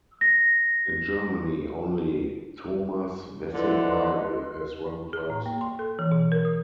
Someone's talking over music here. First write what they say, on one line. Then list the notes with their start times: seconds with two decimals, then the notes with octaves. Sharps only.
In Germany only Thomas Wessinghage has run faster.
0.21 A#6
3.54 D3 F3 E4 B4 D#5 C6
5.13 G#4
5.30 A2
5.46 A#3
5.61 C6
5.79 A4
5.99 E3
6.11 B2
6.32 A#4
6.45 D#6